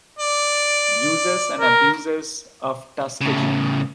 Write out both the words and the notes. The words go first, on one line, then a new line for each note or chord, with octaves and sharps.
Uses and Abuses of Tuskegee.
D5
A#4
A2 C#3